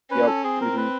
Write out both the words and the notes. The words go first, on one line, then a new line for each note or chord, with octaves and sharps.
Yep, mhm.
C#4 B4
A4
C4 G#4
A#4
B4